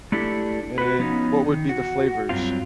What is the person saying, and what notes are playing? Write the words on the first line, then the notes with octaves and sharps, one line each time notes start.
And what would be the flavors
A3 D4 E4 G4 A4
F#4 B4
F3 B3 C#4 D#4
D#3
F#4
G2 F#3 C4 F4